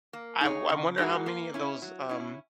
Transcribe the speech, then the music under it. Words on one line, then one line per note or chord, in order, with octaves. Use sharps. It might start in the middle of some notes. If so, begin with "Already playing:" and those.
I'm I wonder how many of those, um
A#3
D#4 G#4 C#5
C#3
G#3 D#4 F#4 A#4
A#3
C#4 E4
F#3
C#4 E4